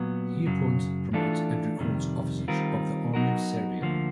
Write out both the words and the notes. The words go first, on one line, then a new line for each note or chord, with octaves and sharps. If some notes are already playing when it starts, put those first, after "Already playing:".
He appoints, promotes and recalls officers of the Army of Serbia.
Already playing: A#2 F#3 B3
F#2 C#3 F#3
E3 A3 D4 F4 A4
F2 C3 D#3 G3
D#3 G3 C4 F4 A#4
F#3 B3 D#4 F#4 A#4
D2 D3 F3 A#3